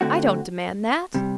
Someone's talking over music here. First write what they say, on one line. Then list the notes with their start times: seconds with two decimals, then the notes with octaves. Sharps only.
I don't demand that.
0.01 D3 A3 C4 F#4
1.14 C3 G3